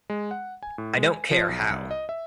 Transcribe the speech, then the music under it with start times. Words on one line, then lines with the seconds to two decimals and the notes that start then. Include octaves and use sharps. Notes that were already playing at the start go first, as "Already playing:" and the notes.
I don't care how.
0.10 G#3
0.31 F#5
0.63 G#5
0.78 A2
0.97 G#3
1.09 G#5
1.31 F3
1.49 B1
1.70 C2
1.91 D#5
2.09 E5